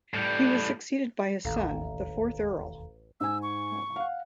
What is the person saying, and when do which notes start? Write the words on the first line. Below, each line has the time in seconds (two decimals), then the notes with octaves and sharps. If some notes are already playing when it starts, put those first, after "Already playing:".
He was succeeded by his son, the fourth Earl.
0.14 A2 G3
1.45 E1 A1 D#2 D#3 A4 F5 A#5
3.20 G#2 G#5 E6
3.42 C#6
3.96 F5 F#5